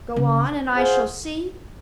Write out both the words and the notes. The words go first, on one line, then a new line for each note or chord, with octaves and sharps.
Go on, and I shall see?
C#3
F4 G#4 C5 F#5